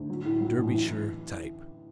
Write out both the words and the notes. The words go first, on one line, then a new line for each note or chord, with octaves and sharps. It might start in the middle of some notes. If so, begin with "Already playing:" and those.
Derbyshire type.
Already playing: D2
F#3
A2
F#3
A1
E3